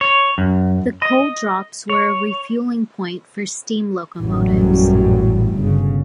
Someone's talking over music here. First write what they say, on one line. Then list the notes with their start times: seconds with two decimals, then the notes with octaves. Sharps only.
The coal drops were a refuelling point for steam locomotives.
0.01 C#5
0.38 F#2
1.02 D#5
1.90 C#5
4.21 A1 F#2 A#2 F#3 G3
5.57 G1 C#3